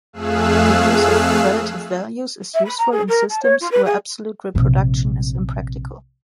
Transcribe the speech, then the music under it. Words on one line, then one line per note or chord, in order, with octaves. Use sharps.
The use of relative values is useful in systems where absolute reproduction is impractical.
F2 A3 G#4 F5 E6 F#6
E5
B5
A#5
G#4
A#4
A5
C#5
F4
B4
G#4
A#1 C3